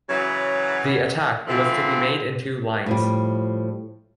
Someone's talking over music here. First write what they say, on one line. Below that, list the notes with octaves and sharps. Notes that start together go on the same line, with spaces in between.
The attack was to be made in two lines.
C#3 E3 F#3
D3 E3 F3 A3 C4
A2 F3 G3